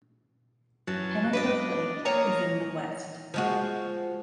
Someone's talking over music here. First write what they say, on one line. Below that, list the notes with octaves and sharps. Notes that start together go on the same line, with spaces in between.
Penacook Lake is in the west.
F#2 E3 F#3 A5
D4 B4 C#5 D#5
A#3 C#5 D#5 A5 A#5
F3 G#3 F#4